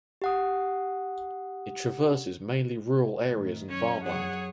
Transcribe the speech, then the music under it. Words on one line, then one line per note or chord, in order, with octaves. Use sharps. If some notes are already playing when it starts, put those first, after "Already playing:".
It traverses mainly rural areas and farmland.
G4 F#5 D#6
A2 D#3
F#2 C#4 C#5
F#2 G#4 C#5 F#5